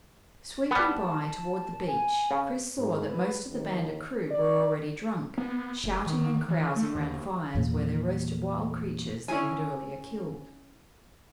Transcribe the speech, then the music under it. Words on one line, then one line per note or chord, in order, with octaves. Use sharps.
Sweeping by toward the beach Chris saw that most of the bandit crew were already drunk, shouting and carousing around fires where they roasted wild creatures they had earlier killed.
G3 B3 A5
G#5
C#3
G#2
B4
D#2
D5
B3
F1
D#3
E3
A3
D#2
E2 A#2
C#4 E4 G#4 G#5